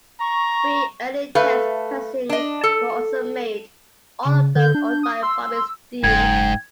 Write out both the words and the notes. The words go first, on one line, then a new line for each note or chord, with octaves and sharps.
Three early test pressings were also made, all of them owned by Bobby Steele.
A#5 C#6
A3 B4 F5
D4 D#5
A4
C#3
D3 G6
D4
D#6
C6 E6
F#1 G#2 G5 G#6